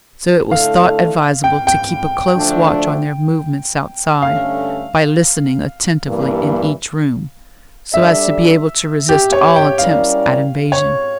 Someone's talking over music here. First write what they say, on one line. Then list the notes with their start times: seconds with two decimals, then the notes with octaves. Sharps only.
So it was thought advisable to keep a close watch on their movements outside, by listening attentively in each room, so as to be able to resist all attempts at invasion.
0.51 D3 A3 E4 A4 F5
1.44 G5
1.67 G5
2.36 D2 D3 F3 A3 D4
4.22 G2 D3 A3 C#4 F5
6.07 G2 E3 A#3
7.93 G3 D4 A4 D5 E5
9.09 G4
9.33 C#5
9.56 G5
9.79 G3 C#4 E4 A#4 D5 F5
10.72 C#5